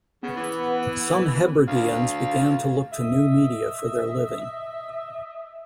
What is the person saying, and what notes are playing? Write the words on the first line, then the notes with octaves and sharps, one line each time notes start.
Some Hebrideans began to look to new media for their living.
C#3 B3
E3
D2 F5
D#5 E5